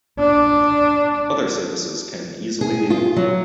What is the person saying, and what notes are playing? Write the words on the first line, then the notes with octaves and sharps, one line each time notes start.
Other services can easily be included.
D4
G#4
F4
F#3